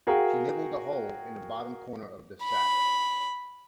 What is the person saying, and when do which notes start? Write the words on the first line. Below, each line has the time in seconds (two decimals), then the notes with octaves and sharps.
She nibbled a hole in the bottom corner of the sack.
0.07 F#4 G#4 A#4 F5 G5
2.45 B5